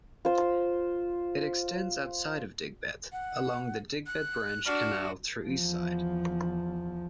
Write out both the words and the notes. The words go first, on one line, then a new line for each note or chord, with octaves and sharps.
It extends outside of Digbeth, along the Digbeth Branch Canal through Eastside.
F4 C5
F#5
F#6
D4 F#4 F6
E2 F3